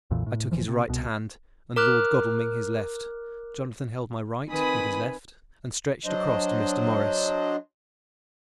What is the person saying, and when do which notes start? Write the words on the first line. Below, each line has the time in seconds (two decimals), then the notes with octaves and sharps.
I took his right hand, and Lord Godalming his left; Jonathan held my right with his left and stretched across to Mr. Morris.
0.10 B1 F2 A#2 E3
0.26 A2
0.52 F1 C#3 E3 F3
0.68 C3
0.89 C2 B2
1.76 A#4 D6 F6 F#6
4.49 D#3 C4 B4 G#5 B5 D#6
6.05 F#3 D4 C5 D#5